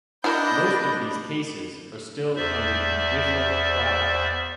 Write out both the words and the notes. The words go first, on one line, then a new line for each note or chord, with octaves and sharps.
Most of these cases are still under judicial trial.
D4 E4 F#4 A#4 D#5 B5 G6
E2 C5 D5 E5